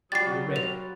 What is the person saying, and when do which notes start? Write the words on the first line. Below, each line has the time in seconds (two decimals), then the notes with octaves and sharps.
We were ready.
0.12 F#3 G3 F4 F#4 A6 C7
0.56 F7